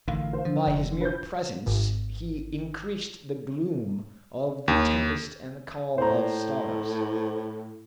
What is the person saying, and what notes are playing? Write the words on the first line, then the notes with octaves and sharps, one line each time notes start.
By his mere presence he increased the gloom of the tempest and the calm of stars.
A1 D3 D#3 F5
C5 F5
D3 F3
F1
B4 G6
G#1
D#2
A2 C5 A#5